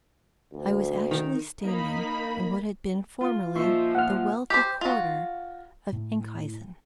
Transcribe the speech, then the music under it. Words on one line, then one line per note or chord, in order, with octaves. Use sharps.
I was actually standing on what had been formerly the wealthy quarter of Enkhuizen!
D2
D#3
A#3 D#4 B5
F4
A#2 F3 D#4 E5 C6 C#6
A#2 F#5 F6
G4 C5
F4 F#4
A2